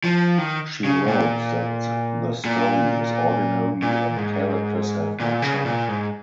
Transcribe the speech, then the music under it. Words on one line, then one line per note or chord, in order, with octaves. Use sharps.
She wrote that the story is ordinary and characters have no charm.
F3
D#3
C#3
A#2
A#2
A#2
G#2
A#2
C#3
A#2
G#2